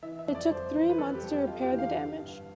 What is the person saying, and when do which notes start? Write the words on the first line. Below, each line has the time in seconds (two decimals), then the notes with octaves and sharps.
It took three months to repair the damage.
0.02 E3 E5
0.19 E5
0.27 F2
0.35 D5
0.51 F2 C5
0.75 E3
0.89 B4
0.98 F2 A4
1.15 G4
1.23 F2
1.31 G4
1.46 F2 F4
1.62 G4
1.71 E3
1.79 F5
1.95 D3
2.20 G2